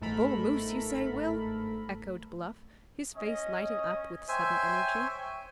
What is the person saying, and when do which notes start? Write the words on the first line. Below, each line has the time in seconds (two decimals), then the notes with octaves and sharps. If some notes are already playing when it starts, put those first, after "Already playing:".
"A bull moose, you say, Will?" echoed Bluff, his face lighting up with sudden energy.
0.01 G1 G#2 A3 A4 A#4 B5
3.15 C#4 D#5
4.28 C5 C#5 E5 G5 G#5